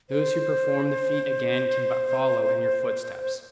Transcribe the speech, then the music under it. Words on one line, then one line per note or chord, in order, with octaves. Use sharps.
Those who perform the feat again can but follow in your footsteps.
C5